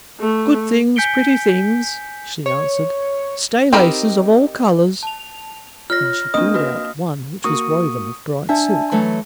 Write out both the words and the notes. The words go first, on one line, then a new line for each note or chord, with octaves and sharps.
"Good things, pretty things," she answered; "stay-laces of all colors," and she pulled out one which was woven of bright silk.
A3
G#5 G6 B6 C#7 D7 G7
C#5
C4 D#4 G4 A#4 B5
A5 F7
F4 C#5 F6 A#6
A#3 C4 D4 D#5 D#6
F#4 B4
A#3 F#4 C#6 D#6
D4 E5 F#5 G#5 A5
E3 F#3 A3